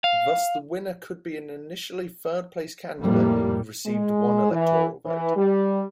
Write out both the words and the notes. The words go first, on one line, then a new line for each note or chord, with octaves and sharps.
Thus the winner could be an initially third-place candidate who received one electoral vote.
F5
F2 A2 G3 A#3
G#3
E3
E3
G3